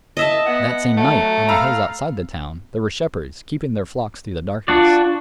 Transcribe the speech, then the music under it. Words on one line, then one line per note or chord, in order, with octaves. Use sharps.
That same night, on the hills outside the town, there were shepherds, keeping their flocks through the darkness.
D#5 E5 A5
B3 F#5
F#3 A3
F5 A#5 B5 E6
D4 F4 F#4 D5